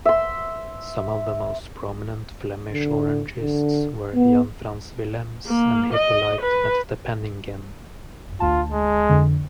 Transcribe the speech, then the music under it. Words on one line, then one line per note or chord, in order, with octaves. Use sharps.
Some of the most prominent Flemish Orangists were Jan Frans Willems and Hippolyte Metdepenningen.
E5 C6
D3
D3
B3
A#3
D#5
B4
D2 F4 A5
G#3
F2 D3